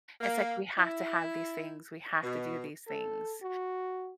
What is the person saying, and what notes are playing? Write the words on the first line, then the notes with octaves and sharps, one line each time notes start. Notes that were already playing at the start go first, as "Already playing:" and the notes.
It's like we have to have these things. We have to do these things.
A#3
E4
B2
A4
F#4